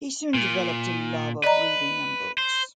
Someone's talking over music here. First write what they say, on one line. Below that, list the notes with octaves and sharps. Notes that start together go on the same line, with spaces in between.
He soon developed a love of reading and books.
A#2
B4 D5 D#5 A#5
C5